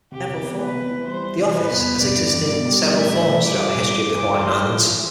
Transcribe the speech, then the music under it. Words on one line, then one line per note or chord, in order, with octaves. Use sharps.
The office has existed in several forms throughout the history of the Hawaiian Islands.
C3 G4
C3
B3
B3 B4
B3
E3
G3 C5
E3
C3
G3 B4
E2
E2
G2 D5
D3
G2
B2
G3
D4
A2 E5
A2
A3
G3 D6
F4
G3
A3
A3
A3
E4 C6
E4
F3
E3